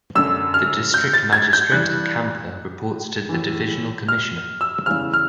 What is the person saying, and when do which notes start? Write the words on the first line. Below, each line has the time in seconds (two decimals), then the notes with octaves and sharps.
The District Magistrate of Kanpur reports to the Divisional Commissioner.
0.15 F#2 D3 E6
0.54 F6
0.94 G6
1.13 A6
1.33 G#6
1.53 G6
1.72 G2 E3 F#6
3.29 A2 E3
4.08 F6
4.61 E6
4.86 E2 C#3 E3 F6
5.14 F6